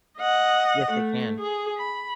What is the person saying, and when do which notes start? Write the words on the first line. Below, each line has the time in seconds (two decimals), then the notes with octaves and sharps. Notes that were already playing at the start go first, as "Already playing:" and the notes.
Yes they can.
0.18 D#5 F#5
0.91 A3
1.40 G#4
1.77 B5